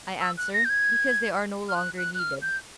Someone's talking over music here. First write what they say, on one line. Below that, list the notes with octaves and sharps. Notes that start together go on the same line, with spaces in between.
I answer: Because they are no longer needed.
E6
F#6
A#6
G6
G#6
F6
F#6
F#6
F#6
F6
G6